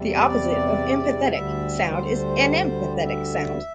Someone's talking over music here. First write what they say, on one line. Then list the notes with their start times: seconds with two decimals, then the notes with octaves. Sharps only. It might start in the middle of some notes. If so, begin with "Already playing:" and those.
The opposite of empathetic sound is anempathetic sound.
Already playing: E2 C3 G3
0.17 D5
1.32 D2 D3 G3 E5
1.90 C5
3.04 E5